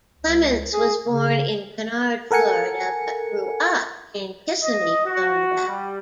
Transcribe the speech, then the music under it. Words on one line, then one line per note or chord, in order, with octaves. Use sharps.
Clements was born in Kinard, Florida, but grew up in Kissimmee, Florida.
C#2
G#4
C#3
A4 A#4 F#5 G#5 C#7
D#5
F#4
G3